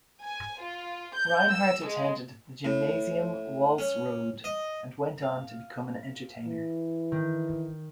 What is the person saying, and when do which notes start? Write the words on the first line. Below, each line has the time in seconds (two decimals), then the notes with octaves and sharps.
Reinhardt attended the Gymnasium Walsrode and went on to become an entertainer.
0.21 G#5
0.60 F4
1.13 G6
1.50 E6
1.85 G#3
2.65 A2
3.78 C#4
4.44 D#5
5.22 F5
6.45 E3
7.12 D#3